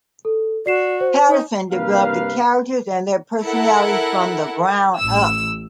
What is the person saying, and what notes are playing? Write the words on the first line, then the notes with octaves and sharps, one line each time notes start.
Patterson developed the characters and their personalities from the ground up.
A4
F#4 D5 C7 E7
C5
D#4
G2 C3 A#3 B4 F5
E4 A4 A#4 F#5
A1 E6